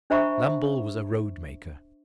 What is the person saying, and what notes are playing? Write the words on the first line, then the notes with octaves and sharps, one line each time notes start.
Lambole was a roadmaker.
D4 C5 E5 A#5 B5 C#6